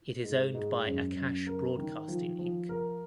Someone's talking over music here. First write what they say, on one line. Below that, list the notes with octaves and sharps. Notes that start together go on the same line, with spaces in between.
It is owned by Akash Broadcasting Inc.
G#2
G#2
F#2
F#2
A#4
D#3
F3
F3
A#4